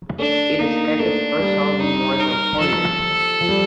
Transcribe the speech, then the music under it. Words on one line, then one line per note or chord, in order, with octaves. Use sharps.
It is Cash's first album in more than four years.
A3 D4
A#3 D#4
A3 D4
G3
D#4
A#4
F3 A4
F3
G3